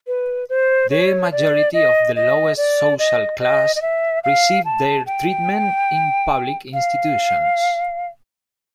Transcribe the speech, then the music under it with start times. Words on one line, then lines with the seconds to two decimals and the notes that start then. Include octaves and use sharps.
The majority of the lowest social class received their treatment in public institutions.
0.07 B4
0.49 C5
0.90 C#5
1.32 D5
1.74 D#5
2.16 D#5
2.57 D5
2.99 D#5
3.40 D#5
3.76 D#5
3.82 E5
4.24 F5
4.65 A5
5.06 G5
6.74 F5